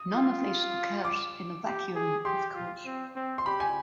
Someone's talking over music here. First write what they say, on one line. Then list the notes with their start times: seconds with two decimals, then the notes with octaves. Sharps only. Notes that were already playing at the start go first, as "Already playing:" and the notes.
None of this occurs in a vacuum, of course.
Already playing: D#6
0.14 F4
1.05 D6
1.65 G4
1.95 G#4
2.25 G4 C6
2.55 F4
2.85 C4
3.16 C4
3.38 C6
3.46 G4 B5
3.60 G#5